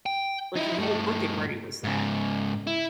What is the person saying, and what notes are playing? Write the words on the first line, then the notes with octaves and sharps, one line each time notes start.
like, her whole birthday party was that.
G5
D#4 E4
G2 A3
G#2 C#3
E4